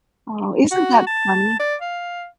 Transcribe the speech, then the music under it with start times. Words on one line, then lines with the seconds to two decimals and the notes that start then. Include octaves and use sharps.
Oh, isn't that funny?
0.71 F#4
1.07 A5
1.60 D5
1.81 F5